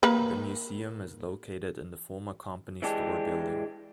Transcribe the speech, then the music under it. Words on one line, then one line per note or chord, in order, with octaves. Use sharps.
The museum is located in the former company store building.
A#3 B4
E3 G#3 D4 G4